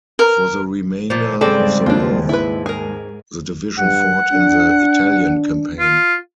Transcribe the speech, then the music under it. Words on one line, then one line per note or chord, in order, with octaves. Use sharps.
For the remainder of the war, the division fought in the Italian Campaign.
A#4
A#2 F3
G#2 C#3 G3 G#3 C4 A4 D5
D#2 D4 F4
G#2 E4 B4
G#4 A#4
G2 F#5
D4
F4